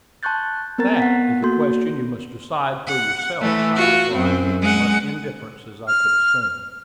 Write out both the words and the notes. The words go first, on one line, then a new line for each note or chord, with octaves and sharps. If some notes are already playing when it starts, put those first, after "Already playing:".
"That is a question you must decide for yourself," I replied, with as much indifference as I could assume.
A5 C6 C#6 F#6 G6 A6
B3 C4 A#4 A#5 A6
B3 F#5 B6
A#3 F#4 A4 C6 G6
F#5
E3 A3
F4 F#4
F#2 C4
G#3 F#5
F6